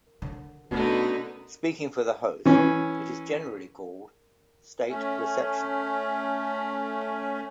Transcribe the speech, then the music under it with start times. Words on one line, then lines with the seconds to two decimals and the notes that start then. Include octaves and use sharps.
Speaking for the host, it is generally called a "state reception".
0.22 D3
0.71 B2 D3 A3 B3 C#4 D#4
2.45 E3 C#4
4.89 A3 C#4